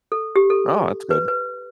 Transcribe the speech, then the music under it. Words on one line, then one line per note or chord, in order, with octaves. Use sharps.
Oh, that's good.
A4
G4
A4
B4
B4